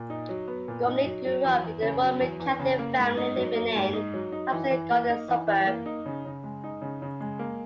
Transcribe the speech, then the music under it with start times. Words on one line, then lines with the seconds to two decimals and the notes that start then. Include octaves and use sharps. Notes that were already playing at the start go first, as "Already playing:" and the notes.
Gormley grew up in a Roman Catholic family living in Hampstead Garden Suburb.
Already playing: A#2
0.10 D#4
0.29 F#3
0.48 B3
0.68 A#2
0.87 D#4
1.05 F#3
1.25 F#3
1.45 E2
1.64 E2
1.83 C#3
2.02 F#3
2.21 E2
2.40 E2
2.59 C#3
2.79 A#3
2.99 G#2
3.17 D#4
3.36 F#3
3.55 A#3
3.75 G#2
3.93 D#4
4.14 F#3
4.32 D#4
4.52 E3
4.70 E3
4.91 A#3
5.09 D#4
5.28 E3
5.47 E3
5.67 A#3
5.86 D#4
6.06 C#3
6.25 C#3
6.44 G#3
6.64 D#4
6.82 C#3
7.02 C#3
7.21 G#3
7.39 A#3